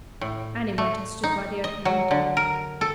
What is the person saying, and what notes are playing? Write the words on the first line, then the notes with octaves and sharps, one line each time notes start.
Annie went and stood by the open window.
A2
A3
D#4
D#5
F#3
D3
A#4
A4